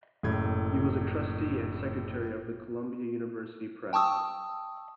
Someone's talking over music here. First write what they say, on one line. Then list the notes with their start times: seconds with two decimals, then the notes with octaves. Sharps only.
He was trustee and secretary of the Columbia University Press.
0.23 F#1 A2 G#6
3.93 G5 A5 C#6 D#6 E6